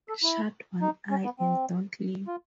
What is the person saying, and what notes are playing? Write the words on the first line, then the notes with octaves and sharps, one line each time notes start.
Shut one eye, and don't leave.
A4
E4
D#4
C#4
B3
C4
F4